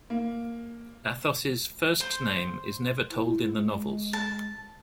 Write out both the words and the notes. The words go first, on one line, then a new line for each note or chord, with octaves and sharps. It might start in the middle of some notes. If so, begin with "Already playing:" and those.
Athos's first name is never told in the novels.
A#3
C5
E4
G#3
A5